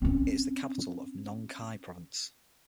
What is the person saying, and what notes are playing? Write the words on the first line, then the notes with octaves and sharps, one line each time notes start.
It is the capital of Nong Khai Province.
C4 C#4